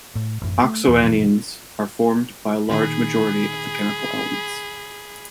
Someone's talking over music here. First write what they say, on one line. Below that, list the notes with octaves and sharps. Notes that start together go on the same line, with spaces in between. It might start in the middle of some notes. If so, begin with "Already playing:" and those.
Oxoanions are formed by a large majority of the chemical elements.
A2
A1 F#2
A3
E2 B2 E3
F#1 A#2 E3 F#3
A#2 D#3 G#4 B5